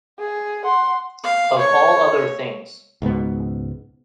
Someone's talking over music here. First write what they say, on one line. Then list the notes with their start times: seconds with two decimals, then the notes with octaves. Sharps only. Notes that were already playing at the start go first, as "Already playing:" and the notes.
Of all other things.
0.19 G#4
0.65 F#5 C6
1.23 F5
1.58 C#5
3.02 C#2 G#2 B2 B3